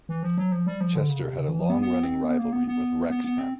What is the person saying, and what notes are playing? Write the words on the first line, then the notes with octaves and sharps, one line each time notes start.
Chester had a long-running rivalry with Wrexham.
E3
F3
F#3
F3
G3
F3
D3
C#3
C3
C#3
E3
F3
B3
B3
C4
B3
A#3
B3
B3
B3
B3
C4